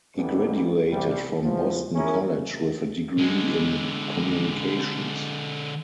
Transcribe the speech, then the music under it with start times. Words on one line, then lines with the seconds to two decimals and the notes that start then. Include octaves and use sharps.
He graduated from Boston College with a degree in communications.
0.16 D#2 G#2 D3 E3 G3 B3
0.90 C2 G3
1.43 E2 F3
1.95 C#4 E4 G#4 A#4
3.18 D3 G#3